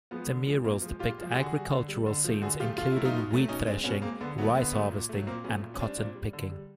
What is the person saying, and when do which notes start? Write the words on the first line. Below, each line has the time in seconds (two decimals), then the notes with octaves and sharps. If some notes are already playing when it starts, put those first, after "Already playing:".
The murals depict agricultural scenes, including wheat-threshing, rice harvesting, and cotton picking.
0.11 F3 G#3 B3
0.28 D3
0.46 F3 G#3
0.64 A#2 A#3 C4
0.82 F3 G#3
0.99 A#2 F4 G4
1.18 F3 G#3
1.32 G4
1.35 D3 F#4 G#4
1.54 G3
1.71 D3
1.88 G3
2.06 D3
2.24 F3 A3
2.42 D3 F#4 G#4
2.60 F3 A3 F4 G4
2.78 B2 F4
2.92 F#3 A3 E4
3.05 D#4 F4
3.13 B2
3.31 F#3 A3
3.48 B2 C#4 D#4
3.67 G#3 C4 D4
3.84 B2 B3 C#4
4.02 G#3 A#3 C4
4.21 D3 B3
4.38 F#3 A3 B3
4.55 D3 B3
4.73 F#3 A3
4.92 A#2
5.09 F#3 A3
5.27 A#2 A#3 C4
5.44 F#3 B3 C#4
5.48 A3
5.62 A#2
5.74 C#4
5.80 G3 C4 D4
5.98 A#2
6.15 G3
6.33 D3
6.52 G3